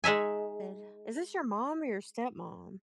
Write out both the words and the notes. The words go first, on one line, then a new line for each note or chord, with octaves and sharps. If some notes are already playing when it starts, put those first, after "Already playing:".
god. Is this your mom or your stepmom?
G#3 D#4 E5 G#5